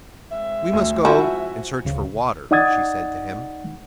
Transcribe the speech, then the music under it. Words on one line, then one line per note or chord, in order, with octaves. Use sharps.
"We must go and search for water," she said to him.
G#3 C4 E5
D2
F3 E4 F#4 G#5
D2 C#3
D#4 D5 F#5 D#6 G#6 A6